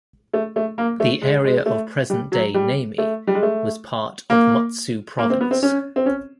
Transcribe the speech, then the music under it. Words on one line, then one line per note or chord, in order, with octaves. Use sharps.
The area of present-day Namie was part of Mutsu Province.
A3
A3
A#3
A3
G#3
G#3
A3
G3
F#3
G3
A3
G3
G#3
A3
A#3
A#3
C4
B3
C4
C#4
C4
C#4